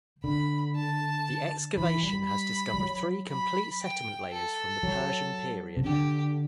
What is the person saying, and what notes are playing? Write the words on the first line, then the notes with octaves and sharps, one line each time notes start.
The excavation has discovered three complete settlement layers from the Persian period.
D3 B5
A5
E3 B5
G3
B5
G3
F#3
B5
G5
A4
F#3
C3
D3 G4